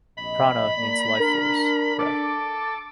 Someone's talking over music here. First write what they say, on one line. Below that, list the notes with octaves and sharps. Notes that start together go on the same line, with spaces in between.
"Prana" means "life force, breath".
A#1 C3 D#5 B5
A#3 A#4 D5
D4 A#4
A4 D6